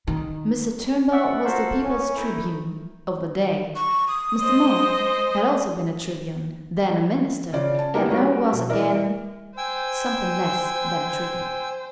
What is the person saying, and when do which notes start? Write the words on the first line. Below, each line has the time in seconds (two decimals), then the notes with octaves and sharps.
Mr. Turnbull was the people's tribune, of the day; Mr. Monk had also been a tribune, then a Minister, and now was again--something less than a tribune.
0.07 D#3
1.12 D#4 D5 E5 F#5
1.44 F4 F#4 A4 A#4 C5
1.82 C#4
2.14 D3 A3 D#4 E4 A#4
3.75 C#6
4.08 D#6
4.41 G#3 C5 D#5
7.53 C#3 F4 D5
7.79 A5
7.94 A#3 B3 D#4 E4 G4 A#4
8.11 G3 F#4 A#4 B4 C#5
8.53 B2
8.69 E3 A#4 D5 E5
9.57 C5 G5 G#5 E6